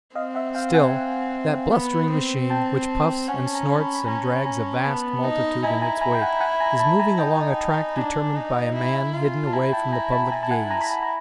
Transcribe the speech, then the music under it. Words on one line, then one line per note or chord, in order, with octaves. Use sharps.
Still that blustering machine, which puffs and snorts, and drags a vast multitude in its wake, is moving along a track determined by a man hidden away from the public gaze.
C4 D#5 F5
E5 F#5
F5 G5
F#5 G#5
B3
C4
G5 A5
C#4 F#5 G#5
A5
G#5 A#5
A5 B5
B5
C#4 G#5 A#5
G#5 A#5
B3 A5 B5
D#4
E4 G#5 A#5
G#5 A#5
G#5 A#5
G5
F#5 G#5
F#5 G#5
G#5 A#5
A5 B5
G#5 A#5
D#4 G5 A5
A5
D4 G#5 A#5
D#4
E4
F4
A5
E4 G#5 A#5
G5 A5
G#5 A#5
A5 B5
E4 G#5 A#5
A5
F#5 G#5
G#5 A#5
B5
G#5 A#5
A#5